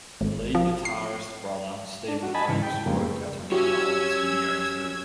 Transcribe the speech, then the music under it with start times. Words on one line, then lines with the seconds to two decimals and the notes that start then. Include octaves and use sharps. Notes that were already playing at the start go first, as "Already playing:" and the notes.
The lead guitarist's brother, Stephen Oakes, worked as a runner on this video too.
0.21 G#1
0.55 F3
0.85 C7
2.08 D4
2.23 F#4
2.34 D#5 G#5 A5 B5
2.49 G#2 C#3 E3
2.63 G5
2.86 F2 C#3 G3 G#3 A#3
3.52 C#4 F#4 G4 C#5 E6 G#6